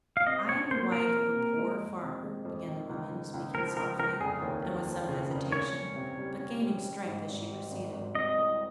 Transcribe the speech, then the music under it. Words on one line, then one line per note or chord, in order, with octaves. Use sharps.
"I am the wife of a poor farmer," began the woman, speaking softly and with some hesitation, but gaining strength as she proceeded.
F5
C3 D#5
C3 C#5
A#3 C5
C3 A#4
A#3
C3
G#3
F2
C3
G#3
F2
D#3
C#2
C#2
C#2
F3 A#4
C#2 A#4
C#2 A#4
F1 G#4
D#2
F3
F3
C#3
F1
C#4 C#5
C#4
C3
G3
C#4
G3
G3
G#2
G#1
G3
G#1
G#1
C3 D#5
C2